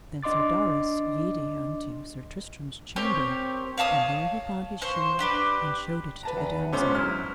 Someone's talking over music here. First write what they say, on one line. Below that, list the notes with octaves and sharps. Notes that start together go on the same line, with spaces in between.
Then Sir Darras yede unto Sir Tristram's chamber, and there he found his shield and showed it to the damosel.
D4 D#5 C6 D6 A6
C4 G4 A#4 C#5
C#5 F5 A5 D#6
C5 C#6
D4 G4 B4
B4 A5 A#5
E2
G#2 D3 B3 C#4 C5
F#3 E4 F6